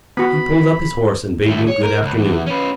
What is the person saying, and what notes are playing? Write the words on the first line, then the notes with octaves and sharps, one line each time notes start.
He pulled up his horse and bade me good-afternoon.
B3 F#4 B5
D#2 A3
C#5
A#4
C#2
E2
C#4 B4